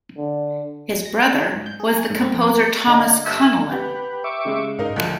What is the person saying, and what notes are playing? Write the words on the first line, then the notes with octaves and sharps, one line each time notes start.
His brother was the composer Thomas Connellan.
D3
A#6
D4
G#4
G#2
G6
G#4
G#5
G#2
C4
F2
A#3
D3 D#5 A#5
G2 E5
G4 B4 F#5
E5 C#6 D6
C#3 G#3
G#2 D#4 A#4 F5
D2 G#2 F3 F#5